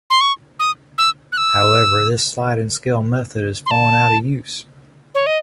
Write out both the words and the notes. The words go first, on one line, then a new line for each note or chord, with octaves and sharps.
However, this sliding scale method is falling out of use.
C6
C#6
D#6
E6
F#6
E6
C6
A5
C#5
D#5